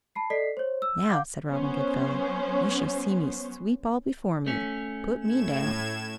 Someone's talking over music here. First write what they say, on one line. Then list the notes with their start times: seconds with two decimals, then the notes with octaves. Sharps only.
"Now," said Robin Goodfellow, "you shall see me sweep all before me. Put me down."
0.15 A5 B5 C7
0.30 A4 D5 D#5 B6 C7
0.57 C5 C#5
0.82 E6
1.09 F5 F#5 D6 G6
1.48 F#3 B3 C#4 C5
4.47 A3 C#4
5.21 A2 G#6 E7